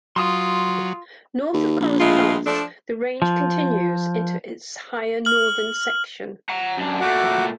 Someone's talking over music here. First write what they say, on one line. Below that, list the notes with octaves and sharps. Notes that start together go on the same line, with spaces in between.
North of Connors Pass the range continues into its higher northern section.
F#3 F4 C6 D#6
D#2
A#1
A2 G#3 F4
F3 A3 D4
F3
F6 F#7
F#5 A#5
F#2 D4
A#2 A3 F#4 F#5 D6